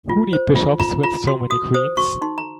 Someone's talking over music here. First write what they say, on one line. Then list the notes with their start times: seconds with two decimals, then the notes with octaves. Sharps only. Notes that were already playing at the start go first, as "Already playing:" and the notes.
Who need bishops with so many queens?
0.09 F4
0.33 C5
0.55 F4
0.80 F4 A#5
1.03 F4 A#5
1.27 F#4 C6
1.50 F#4 D#6
1.74 C5 D#6
1.97 F#4 C#6
2.22 D#4 C6
2.38 A#5